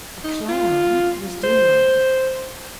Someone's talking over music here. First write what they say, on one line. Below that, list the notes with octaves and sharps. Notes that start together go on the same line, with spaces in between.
A clown was Dimmler.
D#4
F4
C5